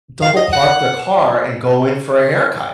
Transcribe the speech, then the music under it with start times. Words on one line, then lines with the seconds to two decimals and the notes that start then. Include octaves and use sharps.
double-park their car and go in for a haircut.
0.22 F5
0.37 D#5
0.53 F#5